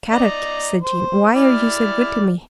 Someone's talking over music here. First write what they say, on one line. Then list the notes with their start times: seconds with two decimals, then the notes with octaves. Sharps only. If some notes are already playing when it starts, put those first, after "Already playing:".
"Kadok," said Jean, "why are you so good to me?"
0.12 D5 D#5 A#5
0.82 C5
1.36 E4 D5 F6